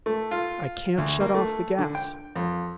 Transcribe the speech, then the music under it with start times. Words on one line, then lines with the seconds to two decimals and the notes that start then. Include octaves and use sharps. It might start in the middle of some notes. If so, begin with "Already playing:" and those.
I can't shut off the gas!
0.06 A3
0.31 F4
0.98 D2
1.20 A#3
1.34 A3
1.78 D3
1.95 G5
2.36 F2